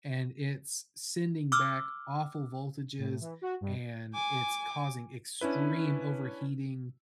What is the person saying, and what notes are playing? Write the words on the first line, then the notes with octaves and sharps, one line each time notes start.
and it's sending back awful voltages, and it's causing extreme overheating,
D6 E6 F6
A2
E3
F#4
G2
G#5 D6
C#4 D4 E4 B4